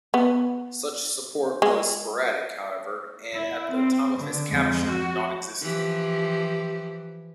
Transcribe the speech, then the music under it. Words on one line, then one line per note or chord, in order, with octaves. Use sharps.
Such support was sporadic, however, and, at the time of his capture, non-existent.
B3
G#3
E4
C4
D3
F2 G#3
F#4
E3 F3 G4